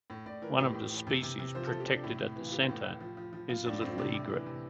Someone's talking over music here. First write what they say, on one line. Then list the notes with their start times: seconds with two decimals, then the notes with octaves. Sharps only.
One of the species protected at the centre is the little egret.
0.10 A2
0.26 A2 D5
0.42 E3 A#4
0.58 A2 G4
0.74 A2
0.91 E3
1.07 C3
1.23 C3
1.39 C3
1.55 F3 C5
1.67 F3 A4
1.80 G4
1.87 C3 D4
2.04 A2 E4
2.20 A2
2.36 E3
2.46 F4
2.52 E3 G4
2.69 A2
2.84 A2
3.00 F3
3.17 F3
3.33 F3
3.49 F3 F4
3.65 A2 D4
3.81 A2 C4
3.98 C3 D4
4.14 C3
4.30 E3
4.46 C3